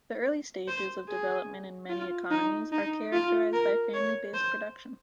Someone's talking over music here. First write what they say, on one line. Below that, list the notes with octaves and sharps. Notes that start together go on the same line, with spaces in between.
The early stages of development in many economies are characterized by family based production.
C5
G#4
F4
D#4
D#4
F4
A#4
C#5
C5